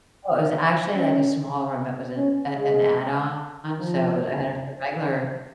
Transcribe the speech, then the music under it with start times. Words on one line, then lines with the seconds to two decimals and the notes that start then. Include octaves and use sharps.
Oh, it was actually, like, a small room, it was an, uh an add-on, so it was it had just a regular,
0.95 C#4
2.17 C#4
2.57 G#3
3.78 F3